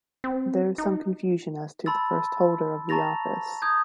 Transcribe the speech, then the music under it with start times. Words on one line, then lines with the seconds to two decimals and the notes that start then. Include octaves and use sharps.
There is some confusion as to the first holder of the office.
0.24 C4
0.78 D#4
1.86 A5 B5 C6 E6 A6
2.89 A5 A#5 C#6 A6 A#6 F7
3.62 D#6 G6 G#6